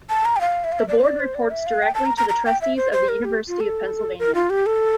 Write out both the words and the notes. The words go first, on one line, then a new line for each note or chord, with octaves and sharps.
The board reports directly to the trustees of the University of Pennsylvania.
A5
A#5
G5
F5
E5
F5
E5
D5
C5
D5
C5
D5
E5
F5
G5
A5
A#5
A#5
A#5
G5
E5
C5
C5
A#4
G4
F4
A4
A#4
F4
G4
A4